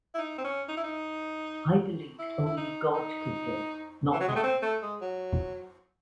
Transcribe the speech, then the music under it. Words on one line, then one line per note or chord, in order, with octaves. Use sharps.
I believed only God could give, not them.
E4
D#4
C4
C#4
D#4
E4
D#4
E4
E4
D#4
D#4
E3
F#3
G#3
A3
C4
A3
G#3
F#3